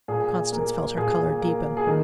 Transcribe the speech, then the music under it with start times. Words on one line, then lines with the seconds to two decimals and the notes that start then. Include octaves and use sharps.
Constance felt her colour deepen.
0.08 A#2 G#4
0.52 A#3
0.97 A#2 G#4
1.42 A#3
1.77 G#4
1.87 D#3 A#4